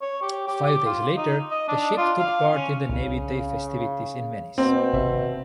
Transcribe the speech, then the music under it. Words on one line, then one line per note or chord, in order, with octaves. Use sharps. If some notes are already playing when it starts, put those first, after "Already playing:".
Five days later, the ship took part in the Navy Day festivities in Venice.
C#5
G4
G4
G4
F4
D#4
D#5
D4
F4
F5
C#4
C2 C#3
B2 A#3 C4
G#1 C3 E5